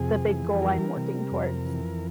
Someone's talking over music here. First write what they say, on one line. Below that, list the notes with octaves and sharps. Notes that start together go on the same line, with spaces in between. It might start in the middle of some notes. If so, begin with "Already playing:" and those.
the big goal I'm working towards.
Already playing: F2 C3 G#4
E3
G3 A#4
C3
F2
E3